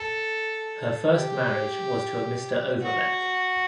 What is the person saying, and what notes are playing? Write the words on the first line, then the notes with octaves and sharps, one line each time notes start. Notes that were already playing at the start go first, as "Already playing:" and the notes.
Her first marriage was to a Mr. Overbeck.
Already playing: A4
G4
F#4